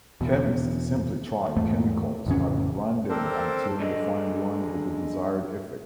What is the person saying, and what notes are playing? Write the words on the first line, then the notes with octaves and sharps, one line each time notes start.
Chemists simply try chemicals at random until they find one with the desired effect.
E2 B2
E2 G#2 A3
A1 F2 C#3 C#4
C4 D4 A4 A#4 C5
D3 G#3